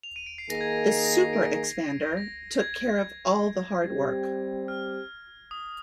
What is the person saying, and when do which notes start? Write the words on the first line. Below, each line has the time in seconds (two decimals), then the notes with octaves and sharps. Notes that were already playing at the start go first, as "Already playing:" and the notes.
The "Super Expander" took care of all the hard work.
0.03 F7
0.16 D#7
0.26 D7
0.38 C7
0.50 D#3 A#3 D#4 G#4 A#6
0.61 G#6
0.70 A#6
0.91 C7
1.05 A#6
1.13 C7
1.33 A#6 D7
2.17 A#6
2.59 G#6
3.84 G3 C4 G4
4.68 F6
5.51 D#6